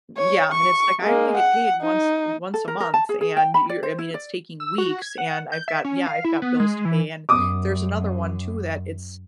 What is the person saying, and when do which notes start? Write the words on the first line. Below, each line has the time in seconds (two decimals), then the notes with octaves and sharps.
yeah, and it's like, "I only get paid once once a month, and you're I mean, it's taking weeks, and I've got," Yeah "I've got bills to pay," and there's another one too that it's
0.17 C#5
0.52 C#6
1.02 G#3 A#3
1.37 F#5
1.82 D#4
2.54 A4
2.68 A#4
2.80 A#4
2.94 A5
3.09 G#4
3.21 G#4
3.37 G5
3.54 B5
3.69 D5
3.83 C5
3.99 E4
4.14 D5
4.60 E6
4.78 F#4
5.02 G#6
5.18 F#5
5.52 G6
5.68 E5
5.85 C#4
6.07 F5
6.24 E4
6.42 B3
6.60 G#3
6.85 E3
7.29 F#2 D6 D#6